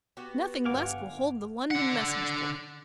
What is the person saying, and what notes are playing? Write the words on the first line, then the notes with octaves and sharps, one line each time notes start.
Nothing less will hold the London message-boy.
B3 F#4 G4
G1 D2 F5 F#5 G#5 D6
D3 F#5